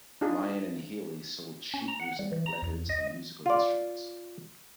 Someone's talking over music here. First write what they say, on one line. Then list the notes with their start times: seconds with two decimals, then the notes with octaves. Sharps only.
Lyon and Healy sold sheet music, records, and musical instruments.
0.21 D4 D#4 F4 G#4
1.74 C#4
1.88 A#5
2.00 F#5
2.19 G3
2.32 E3
2.46 A#5
2.62 E2
2.89 D#5
3.46 F4 D5